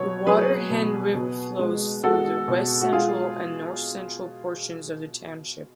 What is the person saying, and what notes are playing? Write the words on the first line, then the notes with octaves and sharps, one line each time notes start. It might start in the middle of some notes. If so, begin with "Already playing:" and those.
The Water Hen River flows through the west-central and north-central portions of the township.
Already playing: B2 F#3 C#5
F#3 G#4 B4
B2
B2
G#3
G#3 F#4 A4
B2
F#4
G#3 F4 G#4